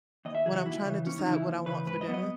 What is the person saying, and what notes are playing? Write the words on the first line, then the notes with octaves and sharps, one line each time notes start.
when I'm trying to decide what I want for dinner.
D#2 D#5
E5
C#3 E3 G#4
F#4
D#2 E4
C#3 E3
D#2 C#4
D#4
C#3 E3
E4
D#2
C#3 E3 B4
G#2 B4
D#5
F#3 B3
D#5